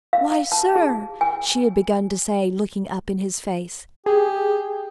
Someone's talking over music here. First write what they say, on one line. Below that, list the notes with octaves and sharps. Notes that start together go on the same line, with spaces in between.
"Why, sir," she had begun to say, looking up in his face.
F5
A5
G#4
G#5
G4 G#4